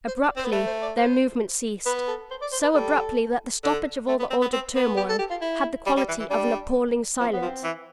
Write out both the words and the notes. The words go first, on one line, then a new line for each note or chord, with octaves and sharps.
Abruptly their movement ceased--so abruptly that the stoppage of all the ordered turmoil had the quality of appalling silence.
C5
D5
C4 C5
B3
A3 B4
C5
D5
C5
B3 B4
A4
C5
D5
C5
B4
G3 A4
D3
A3
B3
C4
B3
C4
B3
G4
A4
G4
F4
E4
G3
G3
E3
E3
G3 D4
F3 C4
B3
F3
C4
E3